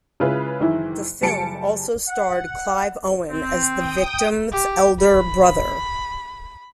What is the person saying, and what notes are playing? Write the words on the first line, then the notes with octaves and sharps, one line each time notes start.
The film also starred Clive Owen as the victim's elder brother.
C#3 G#3 E4 F4 B4
F#1 D#3 E3 E4
F#1 G3 A5 C#7 D7
F#5
C4
G5 D#6
G4
B5